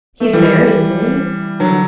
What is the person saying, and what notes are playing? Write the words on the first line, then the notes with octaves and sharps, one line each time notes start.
'He's married, isn't he?
A3
E3 G3
D3 F#3